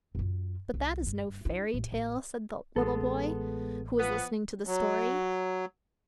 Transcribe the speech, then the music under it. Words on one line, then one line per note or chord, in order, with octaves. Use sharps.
"But that is no fairy tale," said the little boy, who was listening to the story.
F#2 F4
C2
F#1 G2
D4 E4
A1
A1
A1 G#3 B3 A4
F3 B3
F#3